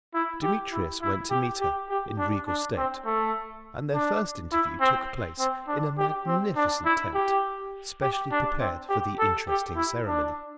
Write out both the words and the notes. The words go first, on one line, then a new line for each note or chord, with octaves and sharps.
Demetrius went to meet her in regal state, and their first interview took place in a magnificent tent, specially prepared for the interesting ceremony.
E4
G4
E4
E4
G4
G4
G4
D4
D4
C4
A3
D4
E4
C4
C4
D4
G4
C4
D4
E4
G4
G4
D4
C4
G4
A4
G4
E4
D4